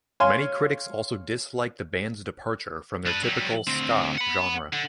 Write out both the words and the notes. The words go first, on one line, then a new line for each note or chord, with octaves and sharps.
Many critics also disliked the band's departure from their typical ska genre.
C#5 F5 G#5 C6
D4 B4
F#3 G3
D2 C4
F#5 B5
D3